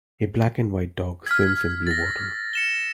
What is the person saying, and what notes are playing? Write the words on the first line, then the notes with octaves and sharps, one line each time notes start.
A black and white dog swims in blue water.
E6 F6 G#6 B6
A6 A#6
C#7 E7 G7